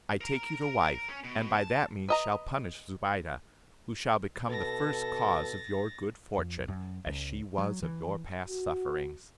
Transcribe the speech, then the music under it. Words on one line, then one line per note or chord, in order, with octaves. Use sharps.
I take you to wife; and by that means shall punish Zobeide, who shall become the first cause of your good fortune, as she was of your past sufferings.
A#4 A#5
C#4
B2
A5
B4 D#5 A#5
B2 A4 A6 A#6
F2
F#2
C#2
F#3
E3
F#4